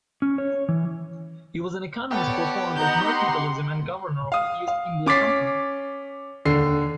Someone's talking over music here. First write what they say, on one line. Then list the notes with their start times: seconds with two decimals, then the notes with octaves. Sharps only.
He was an economist proponent of mercantilism and governor of the East India Company.
0.22 C#4
0.38 C#5
0.69 E3
2.11 B3 G4 A4 C#5 D5
2.77 D#4 F#5 A#5 G6
3.06 F#5 C6
4.32 F5 D#6
4.68 F5
5.06 C#4 D6 A6 B6 C7
6.45 D#2 D3 C7